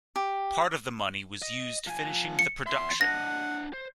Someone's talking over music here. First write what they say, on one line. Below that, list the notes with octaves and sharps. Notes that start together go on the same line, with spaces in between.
Part of the money was used finishing the production.
G4
D#5
F3 G#5
C#7
E2 E5 C6
D4 D#5 F#5 A#6
C5